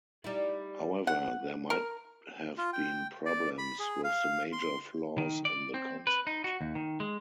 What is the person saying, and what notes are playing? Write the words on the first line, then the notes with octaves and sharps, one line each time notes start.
However, there might have been problems with the major flaws in the concept.
G3 D#4 E4
F#5
A#4
F4
G5
D5
B5
G#4
F5
C6
D#3
D5
C4
B4
D#4
F#4
D#2
D#3
G#3